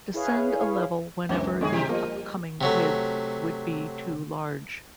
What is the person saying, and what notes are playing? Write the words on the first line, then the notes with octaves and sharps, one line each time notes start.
Descend a level whenever the upcoming width would be too large.
E4 G#4 B4 C#5 F5
C#2 F#2 E3 C4 D4
F#2 D#3 G#3 C#4 G#4
B2 F3 G4
F3 G3 A#3 A#4
C3 F#3 A3